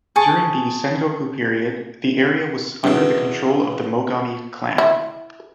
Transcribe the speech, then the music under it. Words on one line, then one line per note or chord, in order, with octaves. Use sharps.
During the Sengoku period, the area was under the control of the Mogami clan.
G#4 A5 C#6
E2 B2 G3 C#4 D4
E4